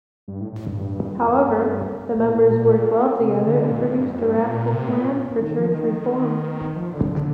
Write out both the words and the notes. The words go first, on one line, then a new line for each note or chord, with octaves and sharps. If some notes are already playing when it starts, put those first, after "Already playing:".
However, the members worked well together and produced a radical plan for church reform.
G2
A2
A2
G2
F2
G2
G2
A#2
A2
A#2
C3
D3
A#2
A2
G2
F2
G2
A2
A#2
C3
A2
A#2
D#3
F3
D#3
F3
D3
D3